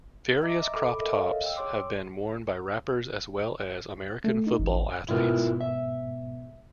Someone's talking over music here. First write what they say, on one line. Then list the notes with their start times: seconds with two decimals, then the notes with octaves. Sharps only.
Various crop tops have been worn by rappers as well as American Football athletes.
0.42 D#5 E5 A#5 D6
0.73 G#4 A4 B5 D6
0.99 A4 A#4 D#5 E5
1.11 C#5 D#5 F5
1.44 G5 E6
1.56 G#4 C#5 C6 D6
4.24 A3
4.47 D#4
4.59 A1
5.09 G#2 B2 B3 E4 F4 A#4
5.61 E5